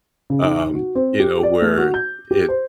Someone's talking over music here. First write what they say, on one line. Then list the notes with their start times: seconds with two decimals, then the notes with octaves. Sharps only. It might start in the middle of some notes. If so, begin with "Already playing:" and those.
um, you know, where it
0.30 C#3
0.43 D#4
0.74 F#4
0.95 C4
1.20 G4
1.43 D5
1.62 A3
1.77 F#4
1.94 G6
2.31 G4
2.49 C5